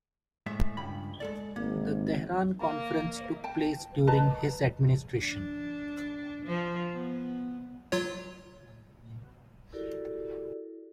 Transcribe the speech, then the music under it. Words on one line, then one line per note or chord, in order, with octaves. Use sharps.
The Tehran Conference took place during his administration.
A2 G#3 E5
C#2 G2 B5
G#3 A4 D5
G#1 A#3
A#3
G5 A5
B4 D#5 A5 A#5
D4
F3
B3
F#3 F4 C#5
E4 F#4 G4 A4 A#4 D5